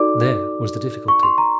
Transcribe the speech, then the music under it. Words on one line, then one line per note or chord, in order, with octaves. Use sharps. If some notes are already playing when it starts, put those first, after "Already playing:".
There was the difficulty.
Already playing: D#4 F#4 A4 D5 D6
C#6
C6
A#5